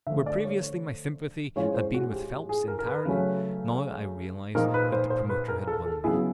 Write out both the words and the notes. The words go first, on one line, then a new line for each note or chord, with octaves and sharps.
Where previously my sympathy had been with Phelps entirely, now I realized that the promoter had won me.
D3 F3 A3 E5
D5
C#5
C#5
A2 F3 G#3 C#4 F4 C#5
C5
F#4
G4
G4
G#4
A#4
A#4
B4
C#3 F#3 A3 C#4
A#2 F3 A#3 D#4 A#4
B4
C5
C5
B4
A#4
A4
A4
C#3 F#3 B3 E4 G#4